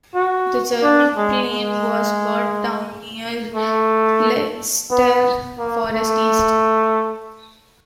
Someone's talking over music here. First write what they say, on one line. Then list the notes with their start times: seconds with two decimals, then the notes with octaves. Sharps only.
The German plane was brought down near Leicester Forest East.
0.15 F#4
0.83 D4
1.17 G#3
1.51 G#3
3.55 A3
4.91 B3
5.58 A#3
5.92 A3